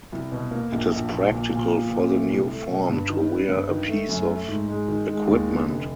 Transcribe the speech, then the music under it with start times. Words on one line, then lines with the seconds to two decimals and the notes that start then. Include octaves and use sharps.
It is practical for the new form to wear a piece of equipment.
0.12 C2
0.32 B2
0.51 A#3
0.72 A#1
0.92 A#1
1.11 A#1
1.31 A#2
1.50 A#2
1.71 F3
1.90 A#2
2.10 A3
2.30 C2
2.50 A3
2.70 B2
2.89 G2
3.10 D#3
3.29 B3
3.49 G2
3.69 D#3
3.88 A3
4.09 F#2
4.29 A3
4.48 G#2
4.68 G#3
4.88 D#3
5.08 G#3
5.27 D#2
5.48 D3
5.68 F1